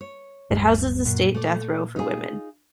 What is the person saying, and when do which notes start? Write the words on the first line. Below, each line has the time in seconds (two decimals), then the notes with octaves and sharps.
It houses the state death row for women.
0.01 C#5
0.51 D1 G2
1.05 F#2 A#2
1.34 A3 D5
1.96 D#4 F4 G#4